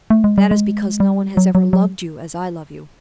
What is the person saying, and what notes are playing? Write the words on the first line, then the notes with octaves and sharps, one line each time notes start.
"That is because no one has ever loved you as I love you."
A3
G#3
G3
G#3
G3
F#3
F#3
F#3